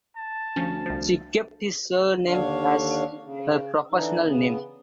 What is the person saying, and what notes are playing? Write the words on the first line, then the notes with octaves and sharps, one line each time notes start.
She kept his surname as her professional name.
A5
D2 F3 C#4
C2 F3
D#2 D3 D4 C#5 F5
C#3
D3 E3 D4 D#4
C#3 B3